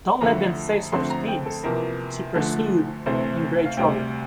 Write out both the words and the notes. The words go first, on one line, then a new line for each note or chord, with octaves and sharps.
'Don’t let them say such things,’ she pursued in great trouble.
F2 D3 A3 E4 A#5
F2 D3 A3 C4 C6
A#5
G5
A4
E2 C3 F3 A#3 A#4
D2 D3 F3 A3
D2 C3 E3 A3 C4 C5
F5
D2 C3 G3 G5